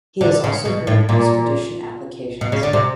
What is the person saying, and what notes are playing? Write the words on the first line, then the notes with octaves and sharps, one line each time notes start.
He has also heard extradition applications.
D3
C#3
B2
A2
A#2
B2
C#3
D3
C3